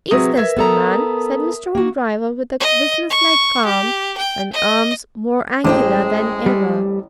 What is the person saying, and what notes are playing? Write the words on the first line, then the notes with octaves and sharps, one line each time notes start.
"Is this the man?" said Mr. Hoopdriver, with a business-like calm, and arms more angular than ever.
C3 F#3 G#4 B4 D#6
A#4 B4 E5 G#6
B3 A4 A#4 A#5 D#6
A#3 F#4
D#5
C#6
G4
G5
D#5
A1 G#3 A3 C5 G5 D6
G3